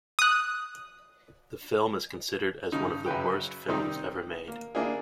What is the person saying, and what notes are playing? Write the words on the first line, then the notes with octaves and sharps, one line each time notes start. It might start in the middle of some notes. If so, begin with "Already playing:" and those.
The film is considered as one of the worst films ever made.
D#6 F#6
G2 C#3 D#4
F#2 C#3 B4 G5
C3 D#3 G3 C4 D#4
A#3
A#3 D4 E4 G#4